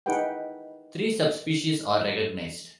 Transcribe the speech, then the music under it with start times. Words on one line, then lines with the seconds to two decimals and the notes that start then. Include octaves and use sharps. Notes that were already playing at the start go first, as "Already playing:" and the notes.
Three subspecies are recognized.
0.06 D#4 E4 G#4 B4 F#5 G5